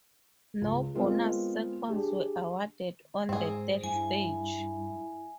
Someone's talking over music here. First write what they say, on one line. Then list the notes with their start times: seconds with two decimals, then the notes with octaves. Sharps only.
No bonus seconds were awarded on the third stage.
0.62 C#2
0.94 G#3 B3 C4 F4 A#4
1.88 D4 G4 G#4
3.29 G#2 C4 G#4
3.84 G2 E4 G#5